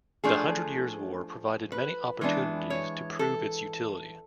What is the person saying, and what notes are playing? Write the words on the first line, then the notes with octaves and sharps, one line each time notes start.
The Hundred Years War provided many opportunities to prove its utility.
F3 A3 D4 G#4
B4
E3 G#3 B3 D4
C#5
A4